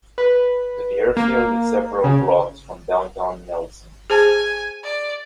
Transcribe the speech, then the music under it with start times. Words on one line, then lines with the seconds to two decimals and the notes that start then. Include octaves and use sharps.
The airfield is several blocks from downtown Nelson.
0.18 B4
1.17 A#3
2.04 C#3
4.10 G#4 C5 G#5 A5
4.83 D5